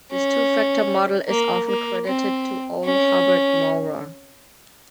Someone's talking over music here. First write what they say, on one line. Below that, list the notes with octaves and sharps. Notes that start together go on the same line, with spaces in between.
This "two-factor" model is often credited to O. Hobart Mowrer.
C#4
A#3
A#3
C4
C#4